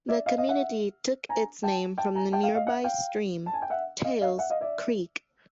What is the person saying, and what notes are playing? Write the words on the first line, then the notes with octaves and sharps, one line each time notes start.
The community took its name from the nearby stream Tails Creek.
D5 E5
D#5 F5
D#5 F5
E5 F#5
G#5 A#5
G5 A5
G5 A5
G#5 A#5
G5 A5
F5 G5
D#5 F5
E5 F#5
F5 G5
A5
G#5
G5
E5 F#5
D#5 F5
D#5 F5
E5 F#5
D#5 F5
D5 E5